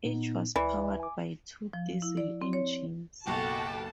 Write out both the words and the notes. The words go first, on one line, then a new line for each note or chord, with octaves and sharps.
Each was powered by two diesel engines.
A#2 B3 D#4
C#2 E3 D5
G#5 D6
F3
E4
D5
C4
C#5
F#1 B1 F#4 G4 A4 A5